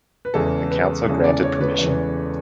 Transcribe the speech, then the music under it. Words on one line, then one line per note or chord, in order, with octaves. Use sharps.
The council granted permission.
B4
E2 C#3 E3 G#3 A4
B4
E2 C#3 E3 G#3
D5
C#5
B4
E2 C#3 E3 G#3